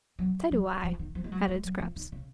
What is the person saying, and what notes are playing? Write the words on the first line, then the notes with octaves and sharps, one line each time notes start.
"So do I," added Scraps.
F#3
F#3
F3
D#3
F3
G#3
F#3
G#3
F#3
F3
D#3
C#3